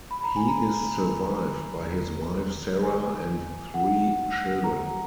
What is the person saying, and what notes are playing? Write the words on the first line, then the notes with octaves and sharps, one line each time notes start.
He is survived by his wife Sara and three children.
B5
A#5
G#5
A#5
G#5
F#5
A#5